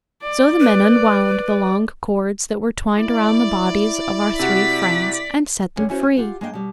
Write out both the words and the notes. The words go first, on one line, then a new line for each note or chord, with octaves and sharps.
So the men unwound the long cords that were twined around the bodies of our three friends, and set them free.
D5
B4
E4 D5
C3 F#4 B6
E2 D3 G#3 C#4
C#4 E4 F#4 C5 C#5
G#5
F4 G4 F#5
G#3 A#3 D4 E4 D#5 G5
B2 G3